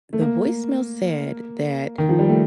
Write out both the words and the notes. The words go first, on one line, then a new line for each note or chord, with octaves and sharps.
The voicemail said that
A3
A#3
D#3
F3
G3
A3